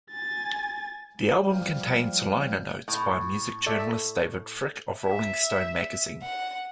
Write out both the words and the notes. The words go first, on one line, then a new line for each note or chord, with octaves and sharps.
The album contains liner notes by music journalist David Fricke of Rolling Stone magazine.
G#5 A6
F3 G3
A2
A4 D5 E5
E5
F#5